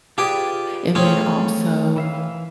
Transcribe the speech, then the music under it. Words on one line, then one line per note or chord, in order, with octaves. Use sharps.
and then, also
F4 G4 G#4 B4 D5 G5
A3 C4 C#4 G#4 F5
E3 E5 F5